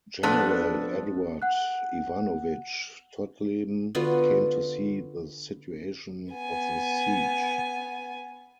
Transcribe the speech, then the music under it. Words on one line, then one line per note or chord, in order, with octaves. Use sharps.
General Eduard Ivanovich Todleben came to see the situation of the siege.
F2 B3 D4 A4
F#5 F#6
D3 B3 F4 F#4
B3 G#5